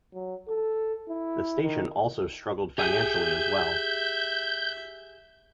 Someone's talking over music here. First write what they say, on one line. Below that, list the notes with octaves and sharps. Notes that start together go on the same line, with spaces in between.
The station also struggled financially as well.
F#3
A4
E4
D#3
G4 G#4 E5 G6